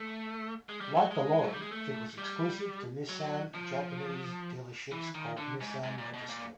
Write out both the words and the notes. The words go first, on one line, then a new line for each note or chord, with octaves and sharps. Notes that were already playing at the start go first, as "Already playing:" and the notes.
Like the Laurel, it was exclusive to Nissan Japanese dealerships called Nissan Motor Store.
Already playing: A3
G#3
G3
F#3
G#3
F#3
G3
G#3
A3
G3
F#3
F3
E3
D#3
D3
G#2
G#2
A#2
B2
A#2